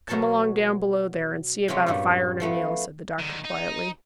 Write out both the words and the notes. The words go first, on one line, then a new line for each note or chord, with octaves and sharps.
"Come along down below there, and see about a fire and a meal," said the doctor quietly.
B2 F#3 A#4 C#5 A5
C3 F#3 G#3 C4 C#4 F4
G2 A#2 F#3 G3
F3 A3 B3
D3 D#3
D#4